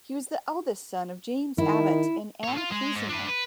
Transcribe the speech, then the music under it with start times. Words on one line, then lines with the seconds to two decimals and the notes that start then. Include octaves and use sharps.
He was the eldest son of James Abbot and Ann Clousinger.
1.58 D#3 E4
2.43 A3 C#5
2.57 F4
2.71 G#3 G#4
2.95 G#2
3.09 D4 B4
3.28 B4